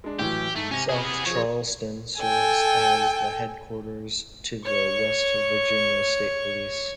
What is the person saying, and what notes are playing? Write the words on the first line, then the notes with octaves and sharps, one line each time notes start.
South Charleston serves as the headquarters to the West Virginia State Police.
G#3 D4
A2 E3 F#3 G4
G#2 A3
C3 C#4 A#6
B3 G#4
F3 G#4 C#5
A4 G5 G#5
C#5 C#6